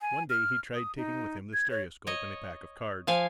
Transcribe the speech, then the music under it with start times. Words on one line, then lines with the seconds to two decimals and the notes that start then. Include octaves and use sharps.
One day he tried taking with him the stereoscope and a pack of cards.
0.02 G#5
0.30 F6
0.74 D#6
0.96 D#4
1.53 G#6
1.70 C#5
2.07 C#5 D#5
3.07 F3 F5 G#5